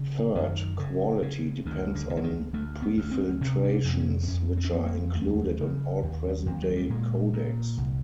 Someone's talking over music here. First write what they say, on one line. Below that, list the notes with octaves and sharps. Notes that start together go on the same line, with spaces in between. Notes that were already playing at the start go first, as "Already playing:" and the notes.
Third, quality depends on prefiltrations, which are included on all present-day codecs.
Already playing: C#3
F#2 D#3
C#3
C#3
D2 D#3
D3
C3
E3
D#3
D2 A3
B3
D2
C4
C3 C#4
C#4
D4
F2
C4
C#4
C4
F2 C#4
C4
C#4
F2 C4
A#3
D#2 A3
C#3
D#2
D#2
F#3
G3
A#2 G#3
A#2
C2